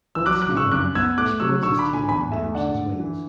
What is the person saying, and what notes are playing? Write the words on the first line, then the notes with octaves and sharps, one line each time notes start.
Once he lands, he spreads his tail and droops his wings.
E6
F#3 D6 F#6
D6 F#6
C#3
C#6 E6
F#2 D6 F#6
B3 E6 G#6
A3 D6 F#6
F#3 C#6 E6
D3 C#6 E6
B5 D6
D3
G#5 B5
E2 G#5 B5
A3 E5 G#5
D3 D5 F#5
D3
E3